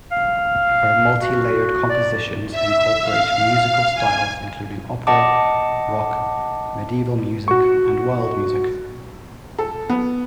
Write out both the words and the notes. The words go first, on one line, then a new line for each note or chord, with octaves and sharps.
Her multi-layered compositions incorporate musical styles including opera, rock, Medieval music, and world music.
F5
F#4
D5
E5
F5
G#5
D#5 F#5 A5 D6
F#4 C#6
A4
B3